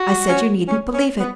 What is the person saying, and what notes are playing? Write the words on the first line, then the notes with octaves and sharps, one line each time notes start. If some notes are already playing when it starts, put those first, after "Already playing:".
I said, you need n't believe it.
Already playing: F#4
C#4
C#4
C#4
B3